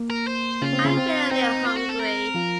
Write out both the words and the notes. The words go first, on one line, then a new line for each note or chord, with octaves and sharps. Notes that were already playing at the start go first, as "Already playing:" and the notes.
I'm feeling a little hungry.
Already playing: A#3
A#4
C5
C#3 C#4 F4
C4
C#3 C#4
C4
C4 D#4
F4
F#4
A4
A#4
F3 F4